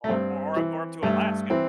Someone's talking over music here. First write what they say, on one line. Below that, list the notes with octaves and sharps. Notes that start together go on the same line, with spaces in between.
Or or or or up to Alaska.
A3
G2 C4
E3
G2 A3
E3 C4